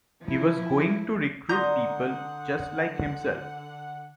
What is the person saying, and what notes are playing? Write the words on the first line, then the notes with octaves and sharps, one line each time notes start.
He was going to recruit people just like himself.
F3 E4
D3 D5 F#5 A#5 C6 D#6 G6